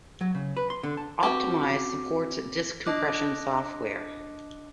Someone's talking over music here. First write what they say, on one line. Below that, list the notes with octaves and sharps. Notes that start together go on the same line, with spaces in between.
Optimize supports disk compression software.
F#3
C#3
B4
C6
D3
A5
C4 F#4 G4 B4 D6
D4 D#5 D6 F#6